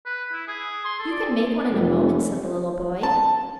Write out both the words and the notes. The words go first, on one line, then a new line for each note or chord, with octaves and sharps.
"You can make one in a moment," said the little boy.
B4
E4
G#4
C6
A4
D5
F1
A5